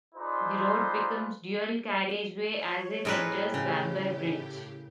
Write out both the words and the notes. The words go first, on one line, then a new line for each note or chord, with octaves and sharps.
The road becomes dual-carriageway as it enters Bamber Bridge.
D#4 F4 G#4 B4 C5 D5
C#5
A2 G#3 C4 C#4 A#4 B4
A2 C#3 G4